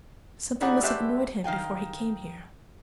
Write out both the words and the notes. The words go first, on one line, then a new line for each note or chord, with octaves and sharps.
Something must have annoyed him before he came here.'
D#3 G3 E4 G#4 D5 F#5
G#3 A3 G4 B4 E5
D#3 F5 G5 G#5